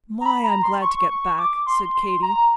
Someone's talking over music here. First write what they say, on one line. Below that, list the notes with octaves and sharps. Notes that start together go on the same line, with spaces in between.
"My! I'm glad to get back," said Katy.
A#5
B5
A#5
C6
C#6
C#6
D6
C6
C6
A#5